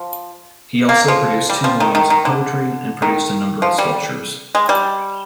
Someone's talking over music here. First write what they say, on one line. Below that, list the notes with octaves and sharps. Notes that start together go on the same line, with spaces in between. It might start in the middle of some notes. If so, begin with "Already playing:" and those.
He also published two volumes of poetry and produced a number of sculptures.
Already playing: F3
A#3
F3
G3
F3
D#3
D#3
D#3
D3
D#3
F3
G3
G#3
G3